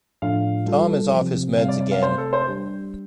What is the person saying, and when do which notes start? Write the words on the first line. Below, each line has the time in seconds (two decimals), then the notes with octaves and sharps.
Tom is off his meds again.
0.22 A2 F3 A3 D4 F4 F5
0.67 G3 F4 A4
1.12 C3 F3 C4 G4
1.57 C3 G3 C4 F5
1.68 D5
1.80 D5
1.91 F5
2.02 C3 A3 C4 C5
2.18 A4
2.33 C5
2.47 G3 D4 G4